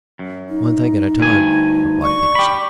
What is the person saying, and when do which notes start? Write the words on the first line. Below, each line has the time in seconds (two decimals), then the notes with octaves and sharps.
"One thing at a time," replied Peterson.
0.19 F#2
0.49 D#4
1.20 D2 G2 G#5
2.02 D5 C#6
2.35 G4 B5